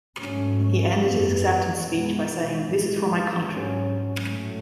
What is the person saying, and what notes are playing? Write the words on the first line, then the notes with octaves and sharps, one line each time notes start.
He ended his acceptance speech by saying, "This is for my country".
G#2 F#3 A3 C#4
F#2 E3 B3
B2 G#3 B3
A2 E3 G#3
G#2 F#3 C#4
A2 F#3 A3